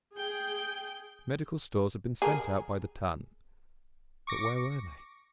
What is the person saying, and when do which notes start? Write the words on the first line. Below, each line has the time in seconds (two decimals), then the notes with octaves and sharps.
"Medical stores had been sent out by the ton." But where were they?
0.15 G#4 G5
2.22 G#4 A#4
4.27 C#6 D6 A#6 C#7